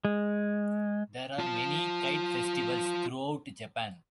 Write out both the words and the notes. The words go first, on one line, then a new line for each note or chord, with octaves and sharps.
There are many kite festivals throughout Japan.
G#3
F4 A5